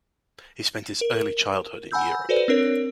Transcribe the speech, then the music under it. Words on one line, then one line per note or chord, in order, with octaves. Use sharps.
He spent his early childhood in Europe.
A#4
F#5 G#5 B5 E6 G6
F#4 A4 B4 C5 D5
C4 D4 A#4 C#5